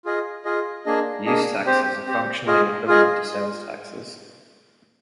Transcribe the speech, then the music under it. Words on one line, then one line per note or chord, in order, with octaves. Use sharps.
Use taxes are functionally equivalent to sales taxes.
F4 G#4 D#5
F4 G#4 D#5
A#3 D4 G#4 D#5
A#3 D4 G#4 D#5
C4 G4 C5
C4 G4 C5
F4 G#4 D#5
F4 G#4 D#5